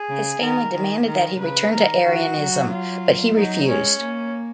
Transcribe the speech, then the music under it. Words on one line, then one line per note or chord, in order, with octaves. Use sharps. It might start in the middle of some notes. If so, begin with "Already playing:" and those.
His family demanded that he return to Arianism, but he refused.
Already playing: G#4
C#3
D#3 A#4
D#3 A#4
D#3 A#4
C#3 B4
D#3 A#4
D#3 F#4
F#3
F4
F#3 D#4
G#3 C#4
A#3